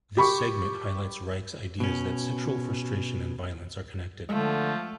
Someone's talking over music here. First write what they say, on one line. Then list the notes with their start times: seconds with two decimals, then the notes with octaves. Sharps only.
This segment highlights Reich's ideas that sexual frustration and violence are connected.
0.17 G4 B5 C#6
1.80 B2 C#4
4.29 D3 F3 G#3 A3